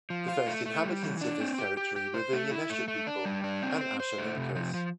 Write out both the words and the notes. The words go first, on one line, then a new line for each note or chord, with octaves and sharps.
The first inhabitants of this territory were the Yanesha' people and Ashaninkas.
F3
F4
A3
A3
G3
E3
D4
C4
G4
G4
G4
C5
A3
E4
A3
A3
D4
G3
D4
C4
C5
C5
A3
C3
F3
F3